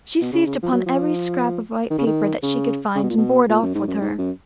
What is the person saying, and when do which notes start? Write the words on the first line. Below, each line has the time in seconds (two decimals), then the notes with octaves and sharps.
She seized upon every scrap of white paper that she could find and bore it off with her.
0.21 B2
0.33 C#3
0.46 C#3
0.63 F3
0.72 F#3
0.86 F3
1.90 D#3
1.98 C#3
2.07 D#3
2.43 C#3
2.96 C#3
3.03 B2
3.10 A#2
3.17 B2
3.49 A#2
3.62 F#2
3.75 G#2
3.88 F#2
4.01 G#2
4.18 F#2